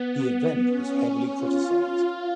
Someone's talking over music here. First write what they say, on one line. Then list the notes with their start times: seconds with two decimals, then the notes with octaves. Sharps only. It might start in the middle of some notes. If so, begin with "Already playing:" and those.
The event was heavily criticized.
Already playing: B3
0.67 C#4
1.38 F4